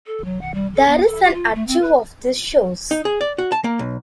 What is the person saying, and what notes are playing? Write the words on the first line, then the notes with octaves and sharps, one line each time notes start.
There is an archive of these shows.
A4
F#3
F#5
G3
A4
B3
A4
G4
F4
A3
C4
B4
D#4
G#4
D5
F#4
A5
A#3
B1